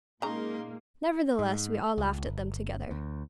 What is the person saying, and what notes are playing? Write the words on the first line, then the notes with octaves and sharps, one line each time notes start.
Nevertheless we all laughed at them together.
A#2 C#3 G#3 A#3 D#4 A#5 C6
G#2
C#2
G1
D2